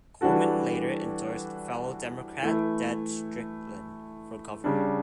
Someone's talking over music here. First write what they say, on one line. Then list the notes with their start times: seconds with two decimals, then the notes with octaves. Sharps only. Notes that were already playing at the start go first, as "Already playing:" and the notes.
Coleman later endorsed fellow Democrat Ted Strickland for governor.
0.21 E3 G3 D4 F#4 A4
2.42 E3 A3 E4
4.64 C#3 G3 D4